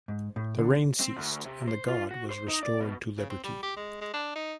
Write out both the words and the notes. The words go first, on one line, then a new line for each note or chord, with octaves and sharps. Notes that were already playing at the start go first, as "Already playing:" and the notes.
The rain ceased and the god was restored to liberty.
G#2
A2
D3
C4
D2
C3
C5
F4
F#4
C5
D#4
D5
B2
C#3
C4
G3
G4
G#3
G#3
D4
D#4